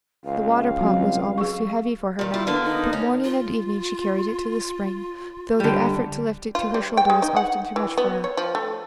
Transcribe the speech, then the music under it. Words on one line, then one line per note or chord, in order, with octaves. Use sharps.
The water-pot was almost too heavy for her now, but morning and evening she carried it to the spring, though the effort to lift it to her shoulder was often too much for her.
C#2 F5
F#3 C4
G#4 C#6
A#2 D#3
E4 F4
D3 A#3 B3 D4
D#4
C#4
F4
D3 G3
F4
G3
G5
G#3
D#4
F#5
E3
B3
C#5
F3
A3